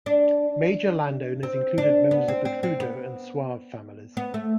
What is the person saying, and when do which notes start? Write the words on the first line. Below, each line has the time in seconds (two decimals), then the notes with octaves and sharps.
Major landowners included members of the Trudeau and Sauve families.
0.06 D4
1.43 C4
1.78 D4
2.11 B3
2.28 C4
2.45 C4
2.63 C4
2.80 B3
4.17 B3
4.34 A3